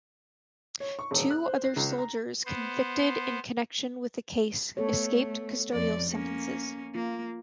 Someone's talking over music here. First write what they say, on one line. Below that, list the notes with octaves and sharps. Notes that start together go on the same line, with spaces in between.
Two other soldiers convicted in connection with the case escaped custodial sentences.
C#5
C#6
E1
F#6
C5
C7
C#2
A#5
B3 C5
A3 B3 A4 C#5
F2 D5
A#3 C#4
A#3 F4